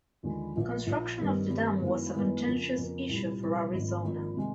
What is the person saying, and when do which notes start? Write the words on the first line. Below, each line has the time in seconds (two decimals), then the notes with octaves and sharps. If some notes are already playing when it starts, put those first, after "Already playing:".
Construction of the dam was a contentious issue for Arizona.
0.23 D#2 D3 F3 G#3
0.55 A#1 A#2 F3
0.87 A#1 A#2 F3
1.18 G2 D#3 G3 C4
1.50 G2 D#3 G3 C4
1.82 F#2 D#3 G#3 B3 E4
2.13 F#2 D#3 G#3 B3 E4
2.45 F2 C#3 F3 A#3
2.77 F2 C#3 F3 A#3
3.09 C2 A#2 G3
3.41 C2 A#2 G3
3.73 G#1 G#2 F3 A#3 D4
4.04 G#1 G#2 F3 A#3 D4
4.36 C3 D#3 G#3